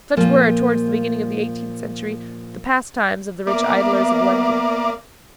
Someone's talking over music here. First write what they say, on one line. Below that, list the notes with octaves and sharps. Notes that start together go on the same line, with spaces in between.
Such were, towards the beginning of the eighteenth century, the pastimes of the rich idlers of London.
A#2 F3 A#3
A#3 B3 D5 E5